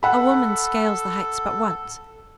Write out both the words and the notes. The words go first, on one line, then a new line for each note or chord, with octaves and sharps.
A woman scales the heights but once.
A4 F#5 B5